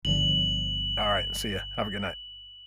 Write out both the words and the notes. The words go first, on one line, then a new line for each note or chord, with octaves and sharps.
Alright, see ya. Have a good night.
G1 D3 F3 F#7